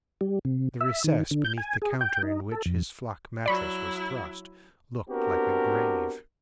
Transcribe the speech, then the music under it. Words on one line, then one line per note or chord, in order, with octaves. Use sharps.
The recess beneath the counter in which his flock mattress was thrust, looked like a grave.
G3
C3
E5
D#3
D3
G6
G#5
G#4
G5
D#4
A4
F2
F#3 E4 D5 B5 C#6
B3 C4 D4 F#4 G4 A#4